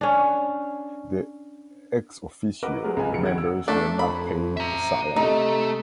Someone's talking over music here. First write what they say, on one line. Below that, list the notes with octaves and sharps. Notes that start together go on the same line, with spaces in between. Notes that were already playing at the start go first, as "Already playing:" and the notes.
The "ex officio" members were not paid a salary.
C#4 D4
F#4 A#4 B4 D#5 F#5 D6
F#3 G#3 A3 G#4 A#4
C#2 C#3 B3 F4 G#4 G#5
A#1 G2 C#3 F3 C#7
D#3 F#4 F#5 G#6 D7
E6
A3 D4
F2 B5
E5 A#5
C3 A3 D#4 A4